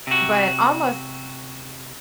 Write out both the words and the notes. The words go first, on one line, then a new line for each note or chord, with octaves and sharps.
But almost
C3 F#4